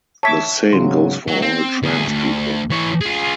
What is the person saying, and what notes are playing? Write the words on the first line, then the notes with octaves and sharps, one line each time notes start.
The same goes for all trans people.
C#5 E5 A5 D6 B6
G#2 C#3 F#3 C6
F#3
C4
D2 G#4
D2
E3 C#5
F4 G#4